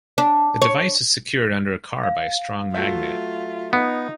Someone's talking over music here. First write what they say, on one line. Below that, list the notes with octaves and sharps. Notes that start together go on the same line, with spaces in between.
The device is secured under a car by a strong magnet.
D4
C#5
F5
F#3 A3 F4 E5
B3 D#4